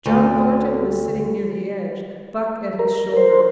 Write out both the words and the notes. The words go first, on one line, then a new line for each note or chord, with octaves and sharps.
John Thornton was sitting near the edge, Buck at his shoulder.
D2
A#4
C5